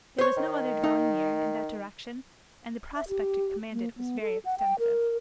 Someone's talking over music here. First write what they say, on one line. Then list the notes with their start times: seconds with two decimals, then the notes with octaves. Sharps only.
There was no other dwelling near, in that direction; and the prospect it commanded was very extensive.
0.18 C5 C#5
0.37 D#3
0.84 D#4
2.96 E5
3.08 G4
3.72 A#3
3.97 B3
4.21 A4
4.45 F#5
4.58 G5
4.79 A#4